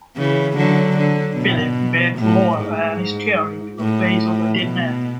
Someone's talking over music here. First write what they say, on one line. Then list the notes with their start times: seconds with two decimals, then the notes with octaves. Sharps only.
Philip bent lower, and stared into the face of the dead man.
0.17 C#3 E3
0.57 D3 F#3
0.97 D3
1.37 B2
2.18 A2
2.58 G#2
3.79 A2
4.59 B2